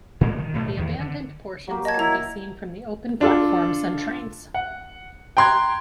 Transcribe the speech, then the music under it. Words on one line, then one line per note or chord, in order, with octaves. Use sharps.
The abandoned portions can be seen from the open platforms and trains.
A#2 D3 G#3 A3
D#3
B1 A2 F3 A3
E2 D#3
D3
F#3 A#3 G4
D#5 A5 G#6
E4 A#5
D4 F4 A4
F#5
G5 A#5 C6 F#6 G#6